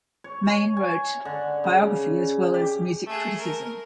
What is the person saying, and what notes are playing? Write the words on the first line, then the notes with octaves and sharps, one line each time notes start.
Maine wrote biography as well as music criticism.
C#5
G#5
D3
C#3
G4
A3 G#4
A#4